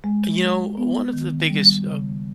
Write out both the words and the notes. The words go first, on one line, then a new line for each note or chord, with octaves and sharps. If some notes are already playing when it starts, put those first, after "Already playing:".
You know, one of the biggest, uh,
G#3
G#3
B3
D#3
G3
C#3